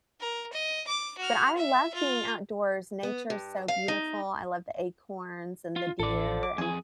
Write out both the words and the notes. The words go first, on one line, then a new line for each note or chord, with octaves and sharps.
but I love being outdoors, nature is so beautiful. I love the acorns and the deer and
A#4
D#5
D6
F#4 F6
E5
F4
B3
G2
F5
D#4
F4
A1 A4 D5
D6
F2 G#4 G#5